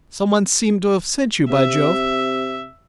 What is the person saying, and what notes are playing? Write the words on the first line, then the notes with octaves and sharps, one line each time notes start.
Someone seemed to have sent you, by Jove!
C3 E5